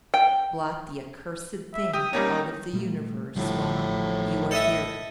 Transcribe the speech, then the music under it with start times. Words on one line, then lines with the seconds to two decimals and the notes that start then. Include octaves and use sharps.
Blot the accursed thing out of the Universe while--you are here.
0.14 G5
1.74 E5
1.93 G4 D#6
2.13 G3 A#3 C#4 D#4
2.73 A#2 G3 A3
3.36 A1 A2 D3 F3 G3 F#4
4.51 A4 D#5 E5